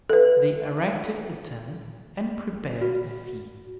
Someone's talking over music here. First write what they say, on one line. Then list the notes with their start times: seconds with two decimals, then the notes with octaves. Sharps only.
They erected a tent and prepared a feast.
0.09 A4 B4
2.81 F#4